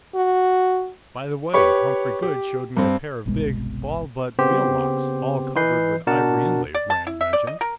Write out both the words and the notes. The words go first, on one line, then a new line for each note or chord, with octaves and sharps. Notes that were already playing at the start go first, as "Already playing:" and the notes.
"By the way, Humphrey Goode showed me a pair of big ball-butt wheel locks, all covered with ivory inlay," Rand mentioned.
F#4
G4 B4 C#5 B5 C#6
G4
G2 C4
G1 C2 B2 G#3
C#3 B3 C4 G4 C5
E3 B4 D#5 G6 C7
B2 D4 F#4 A#4 F#5 A5
D5
A5
E4
E5
D5
D#5
A#4